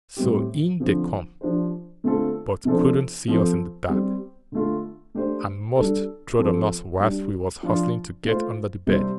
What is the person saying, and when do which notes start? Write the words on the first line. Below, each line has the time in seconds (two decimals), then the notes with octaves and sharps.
So in they come, but couldn't see us in the dark, and most trod on us whilst we was hustling to get under the bed.
0.17 A2 G3 C4 G4
0.80 D3 F3 C4
1.41 F3 D4 G4 C5
2.04 D3 A3 C4 F4 A4
2.65 C3 F3 D4 A4 C5
3.28 F3 C4 A4 C5
3.89 G3 C4 G4
4.52 D3 A3 F4
5.14 A3 D4 G4 C5
5.76 G3 D4 A4
6.39 F3 C4 A4
7.00 G3 D4 G4
7.63 F3 D4 F4
8.25 A3 F4 C5
8.87 C3 G3 C4